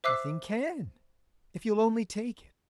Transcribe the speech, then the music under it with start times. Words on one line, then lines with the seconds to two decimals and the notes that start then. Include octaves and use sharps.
"Nothing CAN--if you'll only take it..."
0.04 C5 E5 D6 E6 F#6 C7